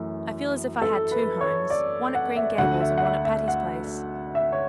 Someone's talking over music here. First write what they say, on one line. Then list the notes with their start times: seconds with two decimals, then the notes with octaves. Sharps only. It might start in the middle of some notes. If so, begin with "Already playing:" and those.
I feel as if I had two homes--one at Green Gables and one at Patty's Place.
Already playing: F#2 E3 A3
0.82 A4
1.11 B4
1.41 C#5
1.70 D5
2.15 F#5
2.36 E5
2.58 D2 D3 A3 F#5
2.81 E5
2.98 F#5
3.03 E5
3.25 E5
3.48 F#5
4.35 E5
4.52 C#5